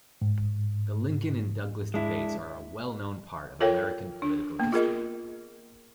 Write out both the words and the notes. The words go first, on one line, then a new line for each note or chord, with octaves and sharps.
The Lincoln and Douglas debates are a well known part of American Political history.
G#2
G#3 D4 E4
F4 A4 A#4 C#5 F5 G5
D4
A#3 B3
F4 G#4 A#4 D#5